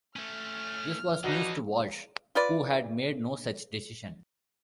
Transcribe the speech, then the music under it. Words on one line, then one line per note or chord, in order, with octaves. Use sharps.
This was news to Walsh, who had made no such decision.
A3 C#4 F6
C#3 E3 D4 D#4 F#4
F4 B4 D5